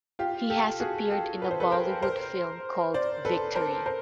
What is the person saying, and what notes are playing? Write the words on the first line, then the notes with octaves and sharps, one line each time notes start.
He has appeared in a Bollywood film called Victory.
F4 G4
G4 A4
F#4 G#4
G4 A4
B4
C5
A4 B4
A#4 C5
A#4 C5
C5 D5
A4 B4
A#4 C5
A#4 C5